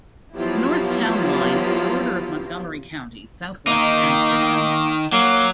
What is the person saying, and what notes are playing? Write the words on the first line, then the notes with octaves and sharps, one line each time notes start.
The north town line is the border of Montgomery County, southwest of Amsterdam.
F3 F#3 B3 E4 F4 G4
D#3 A#3 D#4
F#3 A#3